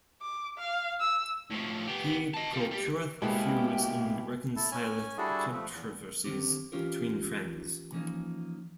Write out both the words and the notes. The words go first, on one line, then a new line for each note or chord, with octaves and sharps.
He procureth feuds and reconcileth controversies between friends.
D6
F5
E6
A2 F3
B3 G4
D#5 A5
G3 F4
G3 G4
B2 G#3 A#3 B3 E4 G4
E4 A4
C#4 G#5
G3 D4 E4 F#4 G#4 A4
F3 A3
E2
D3 D#3 C4 G4
E3 C#4 F4 G4 A#4
E3 F3 G3 A#3 C#4 D#4